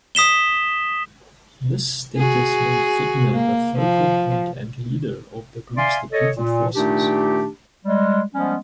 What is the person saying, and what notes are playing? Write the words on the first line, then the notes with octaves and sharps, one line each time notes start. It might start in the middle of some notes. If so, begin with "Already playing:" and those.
This status made Figner the focal point and leader of the group's depleted forces.
D#6 B6 E7 G7
F#4 G#4
A#3
F3
D5 E5 F5 G#5 C6
A4 C#5 D#5
A#2
A#2 D#3 A3 D4 D#4 G4
G3 G#3
F3 G3 G#3 B3 C#4